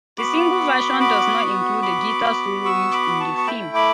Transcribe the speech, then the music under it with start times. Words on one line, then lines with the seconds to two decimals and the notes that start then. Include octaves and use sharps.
The single version does not include the guitar solo used in the film.
0.18 B3 F#4 B5 D6
1.00 B5 D6
1.82 B5 D6
2.65 C#6 E6
2.92 B5 D6
3.20 A5 C#6
3.37 C#6
3.47 A3 E4 G5 B5
3.75 B5 D6